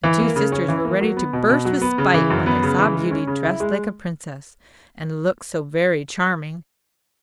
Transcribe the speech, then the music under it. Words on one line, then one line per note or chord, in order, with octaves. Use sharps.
The two sisters were ready to burst with spite when they saw Beauty dressed like a princess, and look so very charming.
E3
A#3
C#3
C#4
E3
A#3
F#3
B3
B2
B2
F#3
B3
C#3
E3
F#2
B3
C#3
E3
G#3
C#4
C#3
E4
G#3